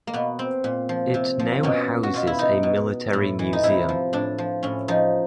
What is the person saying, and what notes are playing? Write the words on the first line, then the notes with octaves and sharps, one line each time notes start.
It now houses a military museum.
A#3
B2 B3
C4
A#2
F3
C3
F3
B2 C#4
F#4
B2 F4
E4
D#4
B2
A2
E3
D#4
C3 E4
F3
A2 D4
F3
A2 C#4
F3 D#4